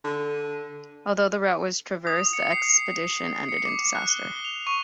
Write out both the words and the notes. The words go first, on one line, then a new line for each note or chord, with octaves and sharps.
Although the route was traversed, the expedition ended in disaster.
D3
D#6
C#7
C7
C#7
D6
F#6
G7
F7
C#6